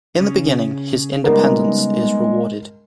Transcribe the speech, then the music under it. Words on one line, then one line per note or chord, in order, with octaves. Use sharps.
In the beginning, his independence is rewarded.
C#3 C#4 G#4
G3 G#3 B3 D#4 A#4